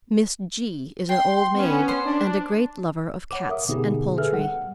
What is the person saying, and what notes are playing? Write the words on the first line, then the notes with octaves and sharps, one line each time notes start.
Miss G---- is an old maid, and a great lover of cats and poultry.
G5 C6
B3 C#4
C5 C6
D4
C#5 F#5 D6
A#4 E5 D#6
B2 D3 B3 D#4 G4 G#4
G#4 A4 B4 E5 F6
G3 F#5